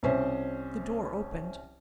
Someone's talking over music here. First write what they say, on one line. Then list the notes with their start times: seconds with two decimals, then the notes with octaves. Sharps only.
The door opened.
0.03 C2 C#4 C5 E5